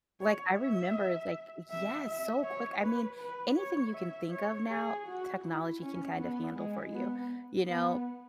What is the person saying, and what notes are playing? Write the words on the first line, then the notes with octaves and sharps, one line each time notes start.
Like, I remember, like yes, so quick, I mean, anything you can think of now, technology can kind of handle for you, you know?
C#5
E5
E5
E5
C#5
B4
B4
C#5
E5
C#5
G#4
F#4
E4
C#4
B3
G#3
B3
B3